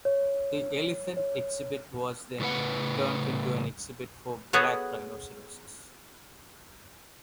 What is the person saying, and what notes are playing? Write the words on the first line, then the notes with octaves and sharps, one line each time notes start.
The elephant exhibit was then turned into an exhibit for black rhinoceroses.
C#5
C#5
A2 C#3 B4 F#5
B3 F#4 G#4 A4 C#5